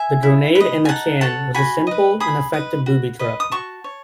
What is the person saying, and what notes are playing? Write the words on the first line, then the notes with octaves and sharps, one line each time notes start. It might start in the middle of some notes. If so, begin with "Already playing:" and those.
The "Grenade in a Can" was a simple and effective booby trap.
Already playing: E5 G#5
E4
B4
D#5
G#5
D#4 F#5 A5
A4 C#5 F#5 A5
F#4 G#5 B5
B4 D#5
G#4 B5 D#6
B4 D#5
F#4
B4 D#5
D#6
F#4 A5 C#6
C#5